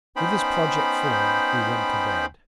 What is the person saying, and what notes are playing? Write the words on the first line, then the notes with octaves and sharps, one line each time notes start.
With this project formed, we went to bed.
B3 C#4 D#4 C5 G5 B5